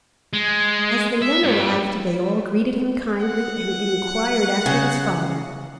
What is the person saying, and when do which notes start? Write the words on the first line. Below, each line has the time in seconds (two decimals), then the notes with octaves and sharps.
As the men arrived they all greeted him kindly, and inquired after his father.
0.33 G#3
1.22 E5
1.44 G2
3.20 F#5
4.66 C#3